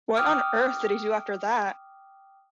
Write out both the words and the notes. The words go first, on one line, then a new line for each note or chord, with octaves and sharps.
What on earth did he do after that?
G5 D6 D#6 F6